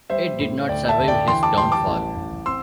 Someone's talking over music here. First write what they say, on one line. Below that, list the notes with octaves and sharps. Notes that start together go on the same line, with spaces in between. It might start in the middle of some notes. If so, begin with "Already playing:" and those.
It did not survive his downfall.
G3 C5 E5
A2
D2 D5 G5
E5 A5
D2
D5 G5
E3 G5 C6
A5 D6
G3 G5 C6
A5 D6
A1
A1
C4 C6 E6